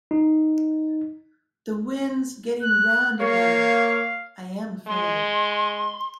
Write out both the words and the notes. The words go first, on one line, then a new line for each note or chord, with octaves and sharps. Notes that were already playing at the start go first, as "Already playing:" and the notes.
The wind's getting round again, I am afraid.
D#4
F#6
A#3 C#5 F5
G#3 C6